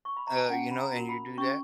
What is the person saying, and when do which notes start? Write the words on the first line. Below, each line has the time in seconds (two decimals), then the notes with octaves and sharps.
uh, you know, and you do that,
0.05 C#6
0.17 B5
0.27 A#5
0.39 G#5
0.50 C#4 F#5
0.71 B5
0.80 A#5
0.93 F#4 A#4
1.09 B5
1.38 C#4 C#6